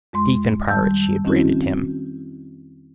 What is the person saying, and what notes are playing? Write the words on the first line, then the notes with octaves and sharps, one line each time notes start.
Thief and pirate she had branded him.
F2 G#3 C6
D#3 G3 A5 E6 G6
D#3 C4 C#4 E4 F#4